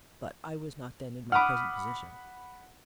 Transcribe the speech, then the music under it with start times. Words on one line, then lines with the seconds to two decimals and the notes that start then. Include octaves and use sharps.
But I was not then in my present position.
1.32 F#5 B5 D6 D#6 F6